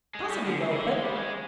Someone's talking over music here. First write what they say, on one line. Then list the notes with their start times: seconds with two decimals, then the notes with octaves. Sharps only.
"Passably well put."
0.15 G#3
0.30 G3
0.46 D3
0.61 C#3
0.72 C#3
0.76 D3
0.92 G#3
1.04 G3
1.16 G#3